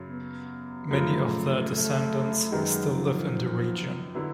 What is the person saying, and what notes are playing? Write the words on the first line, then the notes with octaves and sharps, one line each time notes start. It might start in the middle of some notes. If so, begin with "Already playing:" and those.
Many of their descendants still live in the region.
Already playing: F#2 C#3 F#3
B3
F#2 C#3 F3 A3
A3
F#2 D#3 F#3 G#3 B3 D#4
F3
D3 F#3 B3 E4